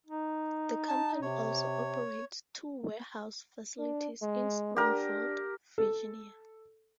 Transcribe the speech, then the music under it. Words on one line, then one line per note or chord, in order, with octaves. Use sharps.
The company also operates two warehouse facilities in Springfield, Virginia.
D#4
A5
C3 C#5
D4
G#3
D4 G4 A#4
A4